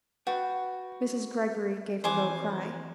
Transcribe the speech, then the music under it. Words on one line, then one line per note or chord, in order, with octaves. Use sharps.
Mrs. Greggory gave a low cry.
F#4 B4 G5
F2 E3 C5 G#5 D6